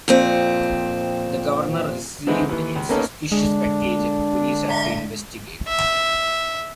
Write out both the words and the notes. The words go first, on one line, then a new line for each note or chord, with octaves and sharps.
The governor received a suspicious package and the police had to investigate.
F2 A#2 C4
D3 E3 G#3 C4 D#4 E4
D#2 E3
C#2
A#3 B3 C#4 D#4 A4 A#4
D3 G#3 D4
E5